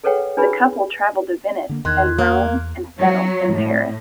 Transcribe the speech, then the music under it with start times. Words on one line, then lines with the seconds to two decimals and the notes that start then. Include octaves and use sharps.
The couple traveled to Venice and Rome and settled in Paris.
0.04 G#4 A4 B4 C#5 F#5 G5
0.37 D4 E4 G#4 B4 B5
1.69 D3 A#3
1.85 E2 D#3 C6 F#6 G#6
2.19 A#3
2.98 F#3
3.52 A2